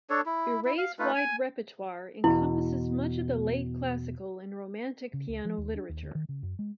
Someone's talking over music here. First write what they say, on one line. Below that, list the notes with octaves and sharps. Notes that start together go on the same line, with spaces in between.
Biret's wide repertoire encompasses much of the late Classical and Romantic piano literature.
D4 A4 C#5
E4
E4
F5
A3 D#4 F4 B4
G#5
E2 B2 E4
C#3
C#2
F3
D#2
D4
D#2
D2
D#3
C#3
F#2
G#3